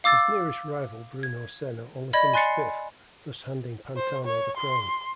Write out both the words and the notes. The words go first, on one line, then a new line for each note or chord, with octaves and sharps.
His nearest rival Bruno Senna only finished fifth, thus handing Pantano the crown.
F5 D6 E6 A6
G#6
D5 D#5 B5 G#6
G#5 C6 F#6 A6 C7 C#7
C5
C#5
C6